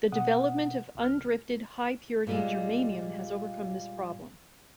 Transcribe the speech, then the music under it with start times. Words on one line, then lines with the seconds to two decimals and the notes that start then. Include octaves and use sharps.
The development of undrifted high purity germanium has overcome this problem.
0.12 B2 F#5 D#6
0.95 C2 F6
2.27 A#2 G3 G#3